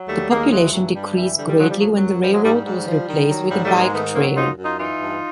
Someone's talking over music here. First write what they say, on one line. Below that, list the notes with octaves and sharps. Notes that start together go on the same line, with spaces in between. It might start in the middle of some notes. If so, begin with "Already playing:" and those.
The population decreased greatly when the railroad was replaced with a bike trail.
Already playing: F#3
D#2 G3 A3
D#2 G#3 A#3
E3 F#3 G#3
G2 F#3
G2 G3
E3
D3 G3
G3
F3 F#3 G#3
G3
F#2 F#3
F#2 F#3
F3 G3
F#3 G#3
G#2 G3
G3
G#2
F3
D#3
F#3
G#2 G3
G3 A3
G#2
G#3 A#3
D#3 A3 B3
F#3 A#3 C4
F#2 D#4 F4
F#2
D#4 F4
E3 D#4 F4
G2